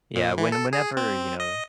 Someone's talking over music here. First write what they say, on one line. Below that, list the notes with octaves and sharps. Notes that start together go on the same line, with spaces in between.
Yeah, when whenever, you know
A#2
E3
A4
G#4
C4
D#5